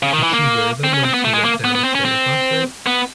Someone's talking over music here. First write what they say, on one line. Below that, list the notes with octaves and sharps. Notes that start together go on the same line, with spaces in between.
Did she wear them when she went down the stairs last night?
C#3
D#3
E3
A#3
C4
C#4
C4
B3
A3
G#3
A#3
B3
B3
C4
C#4
C4
B3